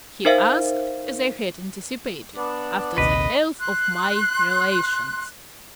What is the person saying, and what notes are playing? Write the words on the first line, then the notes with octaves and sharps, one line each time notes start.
He asked, as I had anticipated, after the health of my relations.
D#4 A#4 C5 E5 F5
B3 D4
A#1 D#2 C3 B4 D#5
C6 F#6